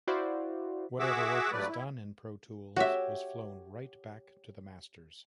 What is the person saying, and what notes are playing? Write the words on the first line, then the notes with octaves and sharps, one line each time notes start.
Whatever work was done in Pro Tools was flown right back to the masters.
E4 F#4 C5 D5 F5
F#4 G#4 E5 F#5 D6 E6
G2 F#3 A3 B4 D5
E4
F#4 G4 C#5 E5